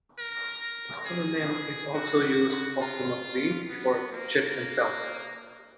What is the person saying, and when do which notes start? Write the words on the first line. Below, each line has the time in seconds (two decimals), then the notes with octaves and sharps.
The surname is also used posthumously for Chit himself.
0.19 A#4
1.06 G#4
1.94 F#4
2.81 F4
3.69 B3
4.12 A#3